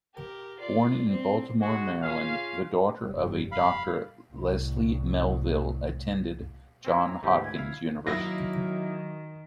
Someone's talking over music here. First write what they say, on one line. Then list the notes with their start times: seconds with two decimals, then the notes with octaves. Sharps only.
Born in Baltimore, Maryland, the daughter of a Doctor, Leslie-Melville attended Johns Hopkins University.
0.15 G4 A#4
0.59 F4 D5
1.08 C4
1.61 G#3 F#4
2.02 C#4 F4 G#4 F5
3.00 F1 G2 G3
3.52 F5 B5
4.33 C2 A2
6.85 C4 C#4 E4
7.03 A#5
7.23 D2 G#2 E3 G4
7.44 G#6
7.56 E4 F5
8.07 D#3 F#3 A#3 D#4 E4 A#6